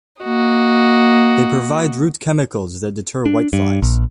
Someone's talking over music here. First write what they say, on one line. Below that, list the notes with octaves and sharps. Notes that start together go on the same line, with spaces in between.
They provide root chemicals that deter whiteflies.
A#3 F#4 D#5
D4
G2
A#1